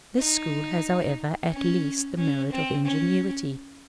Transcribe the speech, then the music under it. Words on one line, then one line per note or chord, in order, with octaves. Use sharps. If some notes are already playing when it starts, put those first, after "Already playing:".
This school has, however, at least the merit of ingenuity.
D#4
C#4
C#4
C4
C#4